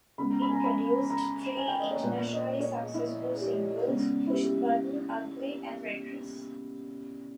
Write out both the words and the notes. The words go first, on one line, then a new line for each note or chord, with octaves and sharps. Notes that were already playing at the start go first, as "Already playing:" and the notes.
It produced three internationally successful singles, "Push the Button", "Ugly" and "Red Dress".
C#3 G#3 B3 B5
A#5
B5
G#5
A#5
B5
A#5
G#5
G5
D#5
C#5
A#2 A#3 B4
B4
D#5
C#5
G#4
E4
G#4
G4
C#3 G#3 B3
E4
G4
G4